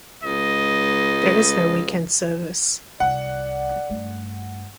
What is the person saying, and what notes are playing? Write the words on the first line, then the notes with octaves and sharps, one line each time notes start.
There is no weekend service.
C#2 D#5
C2 D5 F#5
G2 A3